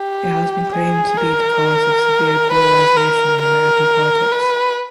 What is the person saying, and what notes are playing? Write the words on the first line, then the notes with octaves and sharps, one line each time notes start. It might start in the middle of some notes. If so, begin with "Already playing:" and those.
It has been claimed to be the cause of severe polarization in American politics.
Already playing: G4
G#4
A#4
B4
A#4
A#4
B4